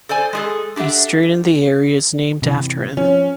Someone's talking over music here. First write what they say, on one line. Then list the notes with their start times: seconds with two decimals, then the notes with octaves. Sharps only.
A street in the area is named after him.
0.09 A4 C5 D5 G#5
0.33 G#3 G#4 A4
0.76 D4 G4 A4 E5 F#5
2.42 C3 E3
2.97 F3 C#4